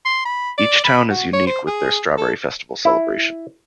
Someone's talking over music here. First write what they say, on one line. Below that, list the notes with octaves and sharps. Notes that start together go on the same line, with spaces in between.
Each Town is unique with their strawberry festival celebration.
C6
B5
D5
B5
F#4
C#5
C5
G#4
A4
E4